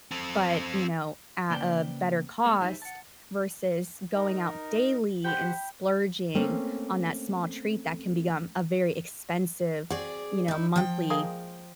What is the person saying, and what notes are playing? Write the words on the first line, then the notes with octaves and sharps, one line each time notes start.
but, you know, at a better cost versus going out daily and splurging on that small treat that can become a very expensive, you know, monthly
C4 A4
C#3 A#3 B4 C5 D5 G5
G#3 A#3 B3 G#4 A4
G3 D#4 G#4 C5 E5
F#5 A5
D#4 A#4
G4 C5 F#5 G5 B5 G6
A3 A#3 C4 C#4 A4
C4 F#4 G#4 D5
D#4 E4
F3 G5
G#3 A#3 G#4